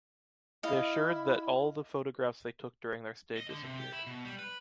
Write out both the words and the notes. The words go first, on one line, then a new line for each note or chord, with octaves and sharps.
They assured that all the photographs they took during their stay disappeared.
E4 D#5 F5
D#5
D3
C3
G4
E4
B2
G3
B4